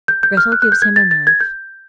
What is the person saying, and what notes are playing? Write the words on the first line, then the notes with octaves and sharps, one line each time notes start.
Grettel gives him a knife.
G6
G6
F6
F#6
F#6
G6
G#6
A6
A6
G#6
G6